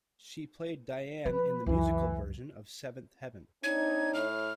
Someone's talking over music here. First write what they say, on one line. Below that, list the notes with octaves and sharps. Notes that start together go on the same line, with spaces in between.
She played Diane in the musical version of "Seventh Heaven".
F3 B4
C#2 F#2 E3
C4 D4 D#4 C#5 G#6
A2 F6